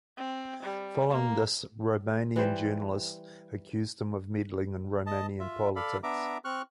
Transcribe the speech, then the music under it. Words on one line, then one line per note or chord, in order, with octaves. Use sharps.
Following this, Romanian journalists accused him of meddling in Romanian politics.
C4
G3
A#3
E3 G3 C5
D#5 A5
F4 E5
A4 D5 F5 B5
B3 D4 E5 A#5 D6
C4 C#6 F6 F#6